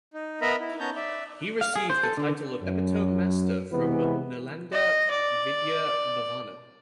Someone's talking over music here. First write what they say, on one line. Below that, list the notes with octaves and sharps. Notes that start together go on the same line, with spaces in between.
He received the title of Epitome Master from Nalanda Vidya Bhavana.
D#4
B3 A#4 D#5 E5 A#5 B5
E4
B3 C#4 C#5 A5 A#5 G6
D5 E5
F5
G#4
C5
A4
D3
F#2
C3 E3 G#3 B3 B4
D#5
D5